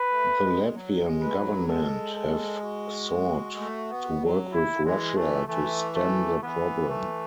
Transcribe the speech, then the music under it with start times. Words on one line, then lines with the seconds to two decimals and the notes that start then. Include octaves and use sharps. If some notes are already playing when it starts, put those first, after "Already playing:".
The Latvian government have sought to work with Russia to stem the problem.
Already playing: B4
0.10 A3
0.42 G#3
0.74 F#3
1.05 G#3
1.21 E3 B4
1.37 F#3
1.68 G#3 A4
2.16 A4
2.63 F#4
3.57 A3
3.90 B3
4.22 F#3
4.52 E4
4.85 E3 G#3
5.16 E3 A3
5.47 E3 A3
5.95 A3
6.42 E3 B3
6.89 A3